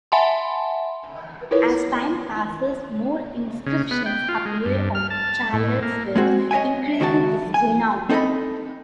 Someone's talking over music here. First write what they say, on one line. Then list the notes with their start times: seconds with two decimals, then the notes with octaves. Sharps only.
As time passes, more inscriptions appear on Charlotte's webs, increasing his renown.
0.12 E5 F#5 G#5 A5 B5 C6
1.51 E4 F4 A#4 B4 C#5
3.66 C#3
3.91 B3
4.06 G5
4.29 F4
4.46 G#3
4.65 G2
4.95 F6
5.10 A5
5.53 A2
5.82 A#3
6.15 G#3 C4 F#4 G#4
6.51 C#5 D#5 E5 G5 G#5
7.00 C#2 D#3 F#4 C#5 A5
7.54 G#5
8.09 C4 D#4 A4 C5 D#5 B5